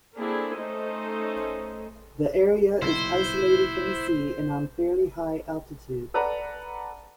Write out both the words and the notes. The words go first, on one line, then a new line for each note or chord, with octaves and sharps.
The area is isolated from the sea and on fairly high altitude.
A#3 C4 D4 E4 G#4 A4
A3 C#4 D#4 A4 C5 D#5
F#1 B1 A#2 E4 C5
A4 B4 D5 F#5 A#5